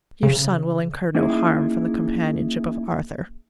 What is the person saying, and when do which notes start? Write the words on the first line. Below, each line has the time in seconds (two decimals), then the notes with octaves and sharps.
"Your son will incur no harm from the companionship of Arthur."
0.23 C#3
1.15 A#3 C#4 D#4 E4 G#4